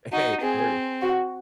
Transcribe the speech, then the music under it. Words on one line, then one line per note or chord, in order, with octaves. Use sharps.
Hey, mer
D#4 F#4
C4 G#4
F#4